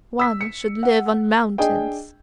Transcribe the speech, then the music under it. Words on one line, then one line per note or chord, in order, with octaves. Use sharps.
One should live on mountains.
E6 B6
C#7
F#5
D4 G#4 D#5 G5